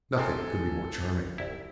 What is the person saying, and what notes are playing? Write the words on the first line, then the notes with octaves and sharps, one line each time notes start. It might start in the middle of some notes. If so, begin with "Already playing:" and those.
Nothing could be more charming.
C3 C4 A4 G#5
C2 E4